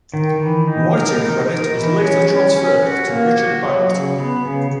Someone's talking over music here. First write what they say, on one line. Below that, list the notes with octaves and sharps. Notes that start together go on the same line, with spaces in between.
Writing credit was later transferred to Richard Barrett.
D#3
E3
D#4
A#4
D#4
A#4
E3
C#4
C#4
C#4
F#4
A#3
F#4
F#3
C#3
B3
C#3